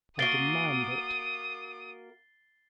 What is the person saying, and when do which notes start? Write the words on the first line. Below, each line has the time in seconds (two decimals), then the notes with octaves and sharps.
"I demand it."
0.19 A#3 F#4 D#6 A6 C7 G7